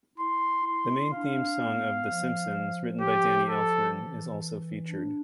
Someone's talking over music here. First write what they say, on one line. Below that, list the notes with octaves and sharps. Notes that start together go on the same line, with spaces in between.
The main theme song of "The Simpsons", written by Danny Elfman, is also featured.
E4 C6
E4 C6
D4 F5
B3
F3
G4
A4
E3
D4